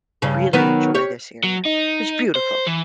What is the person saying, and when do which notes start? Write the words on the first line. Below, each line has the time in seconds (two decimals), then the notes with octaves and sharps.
really enjoy this area. It's beautiful.
0.22 G2 C#3
0.53 D#3 F#3 B3
0.95 G4 C#5
1.44 F#3
1.66 D#4
2.36 C5
2.67 E3